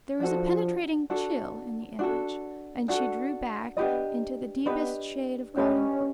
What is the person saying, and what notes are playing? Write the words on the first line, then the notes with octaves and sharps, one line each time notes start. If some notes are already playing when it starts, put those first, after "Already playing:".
There was a penetrating chill in the image, and she drew back into the deepest shade of Gardencourt.
F3 D4 F#4 A4
D4 F#4 A4
D4 F#4 A4
D4 F#4 A4
B3 D4 G4 B4 D#5
B3 D4 G4 B4 D#5
C#4 D4 G4 B4 D#5